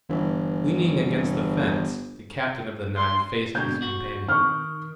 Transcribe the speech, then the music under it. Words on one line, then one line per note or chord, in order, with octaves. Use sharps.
Leaning against the fence, the captain of the nine faced his companion.
G1 E3
C6
B2 D3 G#3 G6
F#4
D#3 C#6 F6